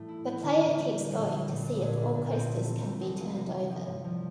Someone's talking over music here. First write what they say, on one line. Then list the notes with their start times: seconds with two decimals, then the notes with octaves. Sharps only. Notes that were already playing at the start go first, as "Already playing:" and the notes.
The player keeps going to see if all coasters can be turned over.
Already playing: A2 E3 A3
0.08 E4
0.26 C4
0.43 D3
0.59 D3
0.77 G3
0.94 A3
1.11 A#1
1.28 A#1
1.46 A#1
1.63 D4
1.81 A#2
1.97 A#2
2.15 A#2
2.32 C4
2.50 A3
2.67 E3
2.84 A3
3.01 F1
3.18 F1
3.36 C3
3.53 E3
3.70 F3
3.87 G2
4.05 F3